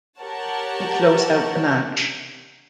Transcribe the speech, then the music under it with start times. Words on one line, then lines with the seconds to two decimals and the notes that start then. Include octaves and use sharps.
He closed out the match.
0.20 G4 A#4 C#5 F#5 A5